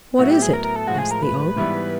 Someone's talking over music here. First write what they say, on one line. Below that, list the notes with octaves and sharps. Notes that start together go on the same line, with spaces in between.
"What is it?" asked the Oak.
A2 F#3 B3 E4 F#4
G4
G#4
A#4
A#4
A4
A2 F3 G#3 F#4
G#4
A#4
B4
G#2 E3 G3 B3 E4